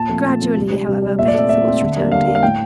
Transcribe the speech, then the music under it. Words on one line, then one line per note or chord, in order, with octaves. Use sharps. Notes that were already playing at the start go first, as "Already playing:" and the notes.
Gradually, however, better thoughts returned to him.
Already playing: A#2 A5
F3 A3 C4
A#2
F3 A3 C4
C3
G3 D4
C3
G3 D4
A#2 E5
D5
A3 C4 E5
A#2 E5
A3 C4
D3
G3 A#3 D4
D3 F5
G3 A#3 D4
F5
A2 G5